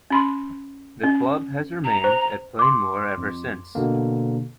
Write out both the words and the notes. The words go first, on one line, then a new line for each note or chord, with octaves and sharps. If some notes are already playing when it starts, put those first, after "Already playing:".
The club has remained at Plainmoor ever since.
C#4 B5 C6
C#4
A#5
C5
C6 D6
F2
B2 D3 A#3